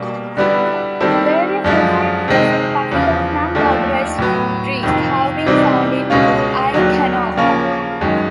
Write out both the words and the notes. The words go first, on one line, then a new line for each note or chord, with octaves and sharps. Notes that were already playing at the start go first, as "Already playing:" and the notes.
Various inscriptions in Classical, non-barbarized, Greek have been found in Ai-Khanoum.
Already playing: B2 G3 A#3
D3 G3 B3 E4
D#3 G3 C4 E4 A4
F#2 D3 F3 G#3
C3 D#3 G#3 C4
E2 C#3 F3
D#2 D3 F3 A3
A2 F#3 B3
F2 C3 D#3
C3 E3 G3 C4 D#4
C#2 B2 G#3 C#4 F4
D#2 D3 F#3
C#3 F3 A#3 C#4
F#2 D#3 G#3